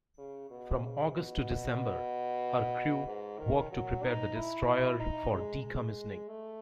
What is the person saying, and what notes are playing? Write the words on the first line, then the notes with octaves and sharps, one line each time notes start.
From August to December, her crew worked to prepare the destroyer for decommissioning.
C#3
B2
C#3
B2
G#2
D#3
F#3
D#4
E4
D#4
G#3
G#3
A3